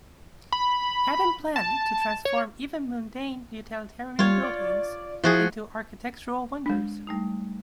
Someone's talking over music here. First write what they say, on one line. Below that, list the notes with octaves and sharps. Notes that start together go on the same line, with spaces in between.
Adam planned to transform even mundane utilitarian buildings into architectural wonders.
B5
A5
C#5
G3 F4 C#5
D5
F3 E4 F#4 G#4
G#3 D4
G3 A3 D#4